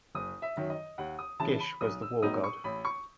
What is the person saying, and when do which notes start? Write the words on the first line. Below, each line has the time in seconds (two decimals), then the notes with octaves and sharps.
Gish was the war-god.
0.15 F#1 D#6
0.42 E5
0.56 F#2 D#3 F#3
0.70 D#5
0.98 D#2 F#5
1.19 D#6
1.40 C#3 E3 A5
1.60 B5
1.81 B1 D#6
2.02 E6
2.22 A2 F#3 B3 D#4 D#6
2.44 C#6
2.64 A1 B5
2.85 C#6